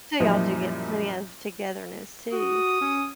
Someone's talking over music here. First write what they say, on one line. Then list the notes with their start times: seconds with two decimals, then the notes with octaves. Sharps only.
So y'all do get plenty of togetherness too.
0.20 F#2 A#2 F3 G3 D#4 E4
2.32 F#4 D#6
2.81 C#4